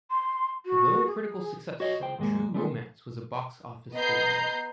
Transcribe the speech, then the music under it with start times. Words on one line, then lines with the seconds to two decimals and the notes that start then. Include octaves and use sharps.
Although a critical success, "True Romance" was a box office failure.
0.10 C6
0.65 F#4
1.06 G#4
1.80 F#4 C#5 D#5
2.00 C#2 C5 G5
2.18 D#2 G#2 G#3 A#3
2.54 G3 A3 B3 D4 F4
3.95 B3 B4 D#5 A#5 G6 C7